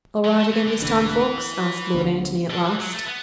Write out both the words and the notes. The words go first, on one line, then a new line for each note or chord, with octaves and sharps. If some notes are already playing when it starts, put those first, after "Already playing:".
"All right again this time, Ffoulkes?" asked Lord Antony at last.
F#3
A3
E3
D3
E1 E2 D3 E3
D2 D3 B3 D4
D3
E3
F#3
A3
B3